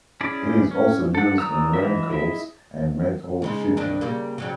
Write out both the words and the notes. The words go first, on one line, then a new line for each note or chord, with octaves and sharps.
It is also used in raincoats and metal sheeting.
C#4 E4 G#4 D5
C#4
A4 F#5
E3 D5 A#5 D#6 E6
E3 D#5 E5
E4 G#4 D#5 E5
C#3 G#3 D#4
G2 D#3 D4
C#3 G3 A#3
C#3 F#3 G3